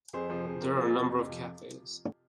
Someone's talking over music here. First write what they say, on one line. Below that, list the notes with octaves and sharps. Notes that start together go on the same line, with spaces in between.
There are a number of cafes.
F2 G#4 C5
C3 F3 G#4 C5
F2 G#4 C5
C3 F3 G4 A#4
F2 F4 G#4
C3 F3
F2
C3 F3